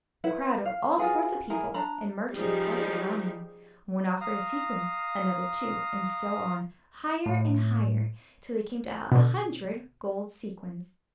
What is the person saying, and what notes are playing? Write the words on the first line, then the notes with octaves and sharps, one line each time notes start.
A crowd of all sorts of people and merchants collected round him; one offered a sequin, another two, and so on, higher and higher, till they came to a hundred gold sequins.
E4 B4 F#5
F5
F4 F#4 G#4 B4
E4 G#4 A#4
D4 A#5 B5
F3 G3 D#4 G4 G#4
F5 A#5 D#6
A2
B2 D3